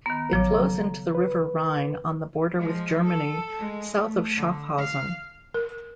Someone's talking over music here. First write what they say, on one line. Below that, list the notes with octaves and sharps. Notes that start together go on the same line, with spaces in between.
It flows into the river Rhine on the border with Germany, south of Schaffhausen.
D#3 B3 A#5
A1 C#3 F3 F#3 C#5 D6
F#3 A4
B4
F3 G#3
A4
G#3
A3
D3
F5
A#4